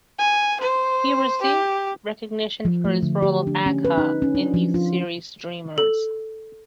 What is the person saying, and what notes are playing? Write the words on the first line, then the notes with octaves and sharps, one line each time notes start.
He first received recognition for his role of Agha in Youth series "Dreamers".
G#5
C5
G4
F3
A3
D3
G4
D4
C#4
B4
D#4
C#4
D4
F3
F4
A4